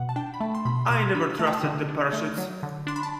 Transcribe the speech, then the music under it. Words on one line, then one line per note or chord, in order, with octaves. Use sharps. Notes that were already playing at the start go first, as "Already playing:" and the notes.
I never trusted the parachutes.
Already playing: B2 F#5
A5
D4 G5
B5
A3 A5
C6
B2 B5
B2 C6
D4 B5
A3 A5
G5
A5
D3
D4
A3
F#3
D3
D4 C6
B5
A5